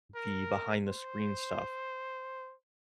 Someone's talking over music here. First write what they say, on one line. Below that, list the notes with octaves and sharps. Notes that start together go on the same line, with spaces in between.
the behind the screen stuff.
A#4
C5